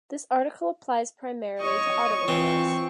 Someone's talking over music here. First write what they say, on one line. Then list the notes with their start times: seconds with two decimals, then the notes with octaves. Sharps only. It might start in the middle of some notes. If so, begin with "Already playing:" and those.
This article applies primarily to automobiles.
1.61 C#5 D#5 C#6
2.28 E3 C4 F4